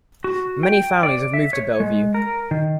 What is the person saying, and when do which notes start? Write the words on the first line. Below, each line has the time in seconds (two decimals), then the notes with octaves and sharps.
Mainly families have moved to Bellevue.
0.24 F#4
0.63 G5
1.03 D5
1.33 E5
1.53 C#5
1.80 G#3
2.14 A#4
2.51 D#3